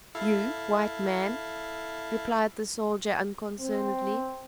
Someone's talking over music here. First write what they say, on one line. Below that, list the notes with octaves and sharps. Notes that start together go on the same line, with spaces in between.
"You, White Man?" replied the soldier unconcernedly.
E4 A4 F5
C4